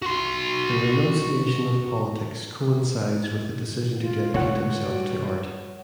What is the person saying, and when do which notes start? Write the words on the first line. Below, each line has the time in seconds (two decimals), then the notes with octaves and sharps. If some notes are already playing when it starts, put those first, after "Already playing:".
The renunciation of politics coincides with the decision to dedicate himself to art.
0.02 F#4 C6
4.00 F4
4.34 A2 D3 G#3 C#5 F#5
4.80 G3 F#4